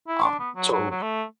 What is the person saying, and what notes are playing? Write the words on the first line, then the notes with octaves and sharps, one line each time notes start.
Um, so
E4
D4
B3
F#3
F#3
F#3
A3